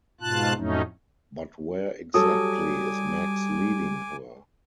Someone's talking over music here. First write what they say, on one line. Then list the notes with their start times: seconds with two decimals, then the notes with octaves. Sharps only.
But where exactly is Max leading her?
0.21 G#2 B2 F4 A5 F#6
0.56 F2 A2 F#3 A3 C#4 D#4
2.14 F#3 G3 A4 G#5 D6 D#6